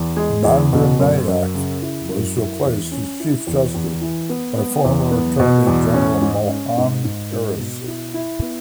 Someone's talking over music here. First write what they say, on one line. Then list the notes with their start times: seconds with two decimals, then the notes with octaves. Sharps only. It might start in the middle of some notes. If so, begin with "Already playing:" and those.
Bandaranayake was replaced as chief justice by former Attorney General Mohan Peiris.
Already playing: E2
0.17 G#3
0.44 E2
0.73 B2
0.99 F#2
1.28 F#2
1.54 C#3
1.82 E4
2.09 F#2
2.37 E4
2.64 E2
2.92 C#4
3.20 E4
3.47 E2
3.74 E2
4.01 E3
4.29 B3
4.57 B3
4.85 E2
5.11 B3
5.40 B2
5.67 E2
5.94 C#4
6.22 G#2
6.49 C#4
6.77 G#2
7.04 G#2
7.32 G#2
7.59 B2
7.87 E4
8.14 E4
8.42 B3